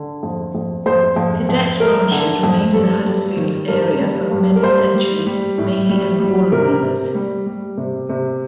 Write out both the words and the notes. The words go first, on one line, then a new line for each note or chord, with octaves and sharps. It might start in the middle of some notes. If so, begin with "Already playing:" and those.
Cadet branches remained in the Huddersfield are for many centuries mainly as wool weavers.
Already playing: D3
F2
F2
F2 C5
F2
F2
A3 A#4
D3
F2
G2 A4
G3
D#3
G2 A#4
G3
G2
A#4
G3 C5
G3
G3
A2
G3
G3
C3 A#4
C3
G3
G3
C3
C3